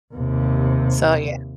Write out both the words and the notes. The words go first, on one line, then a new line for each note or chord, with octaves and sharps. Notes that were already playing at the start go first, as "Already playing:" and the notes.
so yeah.
D#2 C3